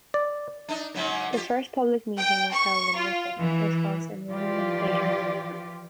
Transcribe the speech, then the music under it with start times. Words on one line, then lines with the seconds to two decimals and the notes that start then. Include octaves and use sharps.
The first public meeting was held in Ripon, Wisconsin one month later.
0.14 D5
0.69 D4 D#4
0.94 G#2 C#3 F#3
1.33 F4 G4
2.17 G5
2.54 C#6
2.97 F4
3.39 E3
4.30 E3 F3 F4 G4 D5